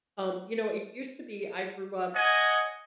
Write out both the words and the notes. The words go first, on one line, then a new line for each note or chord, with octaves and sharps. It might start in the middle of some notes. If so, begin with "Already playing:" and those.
um, you know it used to be I grew up,
C#5 D#5 F#5 G#5